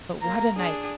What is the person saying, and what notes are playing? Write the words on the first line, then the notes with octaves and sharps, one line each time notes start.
But what a night!
A#3 A#5
D4 G#4